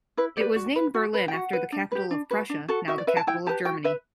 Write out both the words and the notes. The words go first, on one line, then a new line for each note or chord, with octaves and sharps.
It was named Berlin after the capital of Prussia, now the capital of Germany.
E4 B4
G4 B4 D5
F#4
B4
F#4
B4
G5
F#4 F#5
B4
D4
G4 B4
D4
F#4 B4
D4
F#4 A4
F#4 E5
D5
B4 E5
A5
E4 G5
G4 B4 A5
F#4 G5
B4 E5